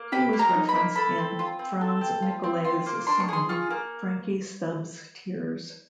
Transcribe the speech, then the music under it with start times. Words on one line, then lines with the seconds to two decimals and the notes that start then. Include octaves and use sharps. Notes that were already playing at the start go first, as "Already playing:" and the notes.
He was referenced in Franz Nicolay's song 'Frankie Stubbs Tears'.
Already playing: A#3
0.12 G4 B5
0.33 A#3
0.39 A#5
0.54 D#4
0.69 B5
0.75 A#3
0.96 A4 B5
1.18 C4
1.39 F4
1.59 C4
1.81 A4
2.01 C4
2.22 F4
2.44 C4
2.64 F4 C6
2.86 A#3
3.07 D4 C6
3.20 C#6
3.28 G#4 C6
3.49 F4 C#6
3.70 A#3